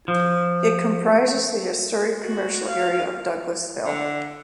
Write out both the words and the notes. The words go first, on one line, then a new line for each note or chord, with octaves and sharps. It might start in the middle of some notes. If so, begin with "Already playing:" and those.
It comprises the historic commercial area of Douglasville.
F3
F#4
F5
D3